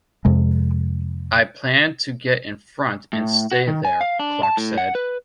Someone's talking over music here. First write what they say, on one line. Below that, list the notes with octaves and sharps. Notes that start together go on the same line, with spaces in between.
"I planned to get in front and stay there," Clark said.
F2 C3 G#3
A2
F#4
D#3
G#5
F5
D4
A5
A2
F#5
B4